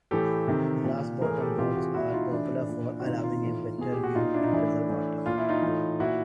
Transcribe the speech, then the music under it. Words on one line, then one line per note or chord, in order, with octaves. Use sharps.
Glass-bottom boats are popular for allowing a better view into the water.
A2 E3 G4 A4
C3 D#3
A#2
A2 E3 G#4 A#4
G4 A4
C3 E3 F4 G4
F#4 G#4
A#2 E4 F#4
D#4 F4
A2 E3 D4 E4
A#2
F#4
C3 D#3 D#4 F4
D#4 F4
A2 E3
B2 G#4
G4
F#4
A#2 D#4 F4
D4 E4
D#4
A2 E3 D4 E4
A2 E3
A#2 F4
E4
D#4 F4
E3
A2
A#2 E4 F#4